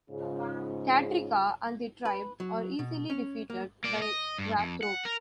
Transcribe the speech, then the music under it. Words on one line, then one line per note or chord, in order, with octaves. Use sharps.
Katryca and the tribe are easily defeated by Drathro.
G#2 C#3 F4
B4
F#3
B2
C#4
A#3
A#3 D5
D#5
G2
F2
F#5
A#4